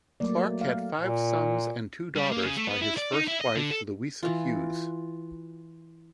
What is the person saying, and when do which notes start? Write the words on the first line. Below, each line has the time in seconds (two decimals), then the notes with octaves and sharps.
Clarke had five sons and two daughters by his first wife Louisa Hughes.
0.20 F#3 A3 A#3 D5
0.61 F5
1.01 A#2
2.16 G3
2.31 A#3
2.43 C#3
2.57 A3
2.68 B3
2.82 E4
2.98 D5
3.13 D#4
3.28 E4
3.41 D#5
3.56 D3
3.71 A4
4.23 E3 F4